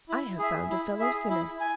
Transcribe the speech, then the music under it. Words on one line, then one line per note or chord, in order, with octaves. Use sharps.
"I have found a fellow-sinner."
E4
G#4 E5
E4
G#4 E5
E4
G#5